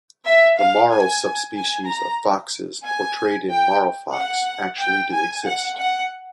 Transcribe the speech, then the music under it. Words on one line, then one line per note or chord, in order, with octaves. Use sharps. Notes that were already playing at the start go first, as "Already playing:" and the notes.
The "Marl" sub-species of foxes portrayed in "Marlfox" actually do exist.
E5
F5
G#5
G#5
A#5
G#5
G5
F#5
G5
G#5
F#5
F#5